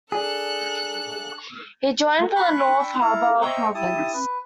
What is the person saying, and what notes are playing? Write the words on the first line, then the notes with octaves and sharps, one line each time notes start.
He joined from the North Harbour province.
D4 G#4 A4 F#6
B5 C#6 F#6
D4 G5 B5 C#6 E6
E4 A4 F5 A#5
C5 D#5 E5 G5 A#5 C#6
E4 G4 A5 D#6
B4